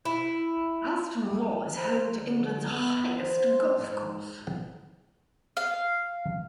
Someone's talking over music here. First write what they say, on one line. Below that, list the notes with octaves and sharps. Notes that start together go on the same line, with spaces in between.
Alston Moor is home to England's highest golf course.
E4
C5
D3
B3
C5
G#2
F5